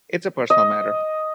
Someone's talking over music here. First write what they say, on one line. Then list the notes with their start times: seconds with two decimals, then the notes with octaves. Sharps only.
It's a personal matter.
0.50 D#5